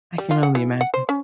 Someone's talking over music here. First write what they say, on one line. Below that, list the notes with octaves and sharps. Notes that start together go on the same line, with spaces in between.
I can only imagine.
G3
F4
F#5
E3
F#5
C5
C#4